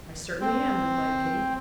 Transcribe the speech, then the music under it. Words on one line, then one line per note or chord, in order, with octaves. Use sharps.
"I certainly am," replied Kitty.
C4